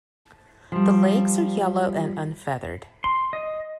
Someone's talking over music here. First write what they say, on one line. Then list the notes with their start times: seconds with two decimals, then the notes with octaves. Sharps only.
The legs are yellow and unfeathered.
0.72 F3 G3
3.04 C6
3.33 D#5